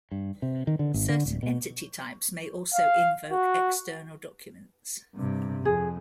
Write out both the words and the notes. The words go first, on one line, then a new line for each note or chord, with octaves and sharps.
Certain entity types may also invoke external documents.
G2
C3
D#3
D3
G#1
D3
D1
B2
F5
F#4
G2 C3
F2 G#4